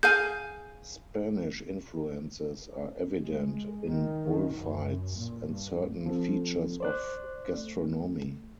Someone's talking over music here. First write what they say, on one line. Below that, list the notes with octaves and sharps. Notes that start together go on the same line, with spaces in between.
Spanish influences are evident in bullfights and certain features of gastronomy.
G#4 F5 G#5 G6
G#3
D#3
D#3
F#2
A#2
G2
F3 C4 A4
C5 D5 F#6
A3